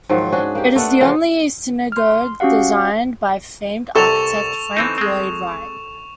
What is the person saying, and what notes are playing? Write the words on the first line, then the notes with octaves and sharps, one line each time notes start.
It is the only synagogue designed by famed architect Frank Lloyd Wright.
G#2 D#3 F3 F#3
C#4 D4 F#4 G#4
A#3 G4
A3 B3 D4 F#5
C#3 E3 F3 B3
C6 F6
C#4 F#4 G4 F5 F#5
C2 C3 A4 C#6 E7 F7
E3 C4 D#4
G#3 C4